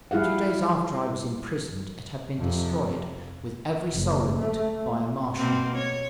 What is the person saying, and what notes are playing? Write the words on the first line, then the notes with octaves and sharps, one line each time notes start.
Two days after I was imprisoned it had been destroyed, with every soul in it, by a Martian.
G3 E4 G#4 F5 F#5
F2 C3
F#1
A3
B2 A#3 C4
C#5